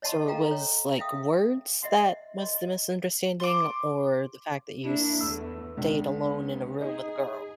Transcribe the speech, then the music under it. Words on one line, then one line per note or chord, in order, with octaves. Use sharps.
So it was, like, words that was the misunderstanding, or the fact that you stayed alone in a room with a girl?
C#5 D#5 F#5 A5 C6 C#6
A4 D#5 F5 G5 A#5
C#5
E5 F5 G5 D#6
D#5 E5 F#5 C6
D#5 C6
C6 D6
A#3 D4 E4
E2 A3 E6
C#2 B3 D4
D#4 G#4 D#5